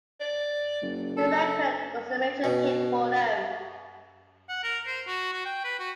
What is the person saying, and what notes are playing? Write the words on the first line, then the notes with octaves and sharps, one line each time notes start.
The record was a major hit for them.
D5
F#1
A4
B2
F#5
A#4
C5
F#4
F#4
G5
B4
F#4